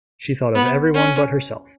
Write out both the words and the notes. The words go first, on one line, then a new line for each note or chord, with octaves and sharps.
She thought of everyone but herself.
B3
C#4